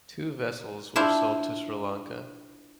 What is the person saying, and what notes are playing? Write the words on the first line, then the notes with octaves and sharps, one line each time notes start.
Two vessels were sold to Sri Lanka.
D4 E4 F4 C5